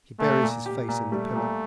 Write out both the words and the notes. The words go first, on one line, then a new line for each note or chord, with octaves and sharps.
He buries his face in the pillow.
A#2 A3
A#2
G4
A#2
G3 A3
A#2